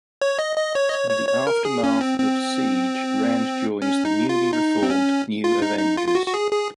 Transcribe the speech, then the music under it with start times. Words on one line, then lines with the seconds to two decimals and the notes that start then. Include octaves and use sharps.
In the aftermath of "Siege", Rand joins the newly reformed New Avengers.
0.22 C#5
0.39 D#5
0.57 D#5
0.75 C#5
0.89 D#5
0.92 C#5
1.11 C#5
1.29 C#5
1.47 A#4
1.65 G#4
1.84 C#4
2.01 C4
2.19 C4
3.82 C#4
4.05 D#4
4.29 F4
4.53 D#4
4.83 C4
4.90 C#4
5.44 F4
5.62 D#4
5.79 D#4
5.97 F4
6.08 F4
6.15 F#4
6.26 F#4
6.34 G#4
6.51 G#4